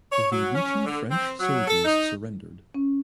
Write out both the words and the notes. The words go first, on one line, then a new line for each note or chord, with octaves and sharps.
The Vichy French soldiers surrendered.
C#5
F#3
C#4
D3
C4
F#3
A4
D#4
C#4